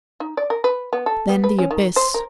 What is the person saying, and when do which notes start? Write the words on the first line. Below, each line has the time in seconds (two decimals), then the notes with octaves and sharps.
Then the abyss.
0.20 D#4
0.37 D5
0.50 A#4
0.64 B4
0.93 B3
1.06 A4
1.29 B3
1.44 B4
1.59 C#4
1.71 D#3
1.96 C5
2.14 A#4